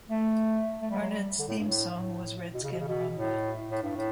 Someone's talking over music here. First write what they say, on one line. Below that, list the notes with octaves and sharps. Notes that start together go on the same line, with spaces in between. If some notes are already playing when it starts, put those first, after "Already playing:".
Barnet's theme song was "Redskin Rhumba".
A3
A3
G3
F#3
G3
D3
A2
G2
A2
A2
B2
C#3
B2
C#3
B2
A2
A2
G2
A2